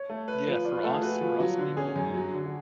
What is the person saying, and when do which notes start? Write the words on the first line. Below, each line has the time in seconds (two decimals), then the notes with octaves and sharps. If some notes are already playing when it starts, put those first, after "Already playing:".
Yeah, for us for us people who
Already playing: C#5
0.09 A3
0.28 B4
0.47 F3
0.65 F4 D5
0.74 B4
0.84 A3 A4
0.93 G#4
1.02 F#4 B4
1.21 F3
1.40 F#3
1.58 D3
1.77 C#4 G#4
1.96 F#2
2.14 F#3
2.33 D3
2.46 F#4